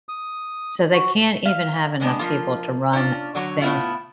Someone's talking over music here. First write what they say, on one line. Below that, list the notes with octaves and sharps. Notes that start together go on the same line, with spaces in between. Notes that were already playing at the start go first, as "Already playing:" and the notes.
So, they can't even have enough people to run things
D#6
F#4
E5 F5
D3 G#3 B3 D4
F3 A#3 F4
C#4 D4 F4
D3 F#3 C#5
A2 F3 B3 E4 F4